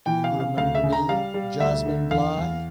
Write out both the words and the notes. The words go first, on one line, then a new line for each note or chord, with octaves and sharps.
Do you remember me, Jasmine Bligh?
E3 G5
F5
C#3
F5
D2 F5
E5
C#3
A#5
G3 F5
G3
D2 E5
D3
E2 F5
E2